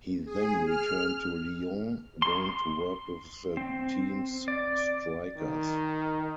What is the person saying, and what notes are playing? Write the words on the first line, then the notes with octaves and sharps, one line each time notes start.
He then returned to Lyon, going on work with the team's strikers.
G#4
F6
C6
C4
D5
D#3